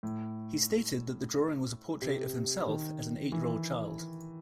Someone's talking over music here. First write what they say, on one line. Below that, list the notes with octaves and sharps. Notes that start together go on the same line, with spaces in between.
He stated that the drawing was a portrait of himself as an eight-year-old child.
A2
C3
D#3
E3